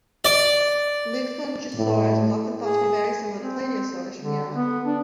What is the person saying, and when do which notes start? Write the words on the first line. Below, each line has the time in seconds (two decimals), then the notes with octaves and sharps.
"Lufengosaurus" was often thought to be very similar to "Plateosaurus" from Europe.
0.25 D5
1.75 A2
2.63 G#4
3.39 C4
4.20 D3
4.55 B3
4.86 D4